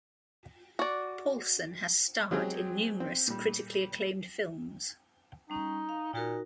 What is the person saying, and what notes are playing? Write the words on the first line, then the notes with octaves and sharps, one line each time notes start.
Paulson has starred in numerous critically acclaimed films.
F#4 D5
F#3 G#3 C4 G4 G#4
C4
A#2 G3
G3 C#4 D#4
F5
A#2 D#4 F#4 A#4